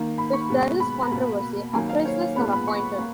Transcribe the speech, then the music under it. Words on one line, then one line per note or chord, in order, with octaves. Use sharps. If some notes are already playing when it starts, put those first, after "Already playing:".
If there is controversy, appraisers are appointed.
Already playing: D#3 A#3
B5
C#6
B2 G#3 B3
B5
A#5
B2 A#3 B5
D#3 F#3 A#3 G#5
F5
C#5
F5
A#2 G#3 B3 B5
B5
C#6
A#3